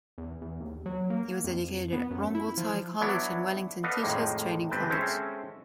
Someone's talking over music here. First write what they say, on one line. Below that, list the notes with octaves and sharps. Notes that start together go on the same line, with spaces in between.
He was educated at Rongotai College and Wellington Teacher's Training College.
E2
E2
D#2
F#3
A#3
F2
B3
F#2
E4
F3
F#3 B3 D4 E4 C#5
A4 B4 D5 D#5 F5 F#5
F2 A2 D#3 G#3 A#3
G1 C4 B4 G5 A5
G#3 C4 C#4 A4 C5 E5